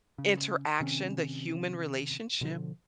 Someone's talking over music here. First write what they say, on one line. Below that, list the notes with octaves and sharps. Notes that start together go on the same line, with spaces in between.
interaction, the human relationship?"
C#3
C3 D#3 C4 C#4
B2 D3 F3